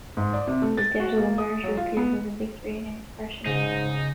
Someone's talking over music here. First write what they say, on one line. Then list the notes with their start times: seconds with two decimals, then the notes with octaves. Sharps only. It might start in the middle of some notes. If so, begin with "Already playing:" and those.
His death as a martyr appears as a victory against oppression.
0.17 G#2
0.34 D5
0.47 C3
0.62 A3
0.77 A6
1.00 F#4
1.18 A#3
1.38 D#6
1.64 F#3
1.77 F4
1.97 B3
3.46 G#2 C#3 D#4